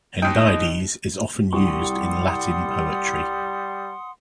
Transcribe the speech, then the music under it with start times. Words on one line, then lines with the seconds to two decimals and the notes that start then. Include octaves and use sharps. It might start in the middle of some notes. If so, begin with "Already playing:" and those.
Hendiadys is often used in Latin poetry.
0.22 D#2 D#4 D#5 G5
1.53 C2 G3 F#5 C6 C#6 D#6